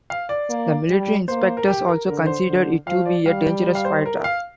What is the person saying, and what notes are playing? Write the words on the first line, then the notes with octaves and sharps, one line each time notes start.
The military inspectors also considered it to be a dangerous fire trap.
F5
D5
A#3
G3
A#3 C5
A#4
G4
A#4
D3 A#4
C5
D3
F3 F5
D5
G3 F5
G5
G5
F5
C5
C5
A#4
F5